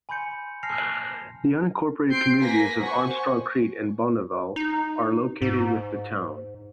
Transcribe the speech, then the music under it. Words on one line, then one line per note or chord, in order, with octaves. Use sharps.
The unincorporated communities of Armstrong Creek and Bonneval are located with the town.
G#5 B5 C6 G6 C#7
G#5 A5 F6 A#6 C7 F7
C4 C6 G6 C7 D7
A#3 B4 G#5 A#6 B6
C5 F#5 G#5 C#6
D#4
G#2